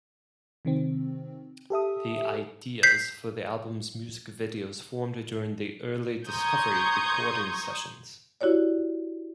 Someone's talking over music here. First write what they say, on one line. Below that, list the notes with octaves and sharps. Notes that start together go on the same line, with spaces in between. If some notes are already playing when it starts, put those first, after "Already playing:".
The ideas for the album's music videos formed during the early "Discovery" recording sessions.
C3 D#3 C4
G4 A4 E5 D#6
G6 B6 C7
A#5 C6 C#6 D#6 G6 G#6
E4 F#4 G4 C#5 D5